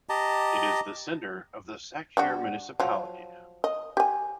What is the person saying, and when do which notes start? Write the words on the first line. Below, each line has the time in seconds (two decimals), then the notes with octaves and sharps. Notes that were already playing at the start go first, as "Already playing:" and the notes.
It is the center of the Sachkhere Municipality.
0.09 G4 D#5 A5 A#5
2.17 G3 D4 F#4
2.80 F3 F#3
3.64 D#5
3.97 G4 G#5